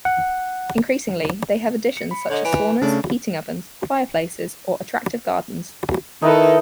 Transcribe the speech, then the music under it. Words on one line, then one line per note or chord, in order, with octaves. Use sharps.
Increasingly they have additions such as saunas, heating ovens, fireplaces or attractive gardens.
F#5
C#7
B5
D3 C#5 D#5
E3 D7
C#3 A3 C#4 D4
D#3 D#4 E4 A4 B4